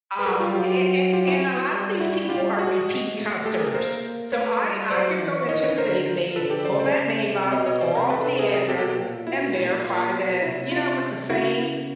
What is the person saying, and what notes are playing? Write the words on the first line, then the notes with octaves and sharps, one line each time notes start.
um, a a and a lot of these people are repeat customers, so, I I could go into the database, pull that name up, pull up the address and verify that, you know, it was the same
B4
G3 G#4 A#4
F4 G4
F#3 F4 G4
F4 G4
E4 F#4
G3
E4 F#4
G3 F4 G4
F#4 G#4
G#3
A3
A3 G4 A4
G#4 A#4
A#3 A#4 C5
A#3
A3 B4 C#5
G3
F#3 C5 D5
E3
D#3 C#5 D#5
B4 C#5
D3 A#4 C5
D3 A4 B4
G4 A4
C#3 C5 D5
C5 D5
C#3
C3
B2 C#5 D#5
C#5 D#5
C3 C5 D5
A#4 C5
C3 A4 B4
A4 B4
G#4 A#4
G#4 A#4
B2 G4 A4
A#2
B2 E4
A#2
A#2 F4
B2
C3 E4
F4
C#3 E4 F#4